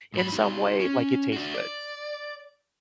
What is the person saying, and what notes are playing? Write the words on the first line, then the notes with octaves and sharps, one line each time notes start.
in some way, like, it tastes good.
G#2 B5
D#4 F#4
C#4
D4 F#4
D5